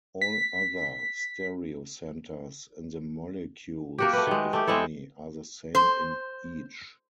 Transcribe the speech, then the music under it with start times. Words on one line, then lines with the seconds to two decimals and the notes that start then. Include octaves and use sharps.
All other stereocenters in the molecules, if any, are the same in each.
0.21 B6
3.98 A#3 F#4 G4
4.13 A3 B4
4.27 D#3 G#3
4.53 A3 G4
4.67 G#3 C4 E4 A4
5.75 C5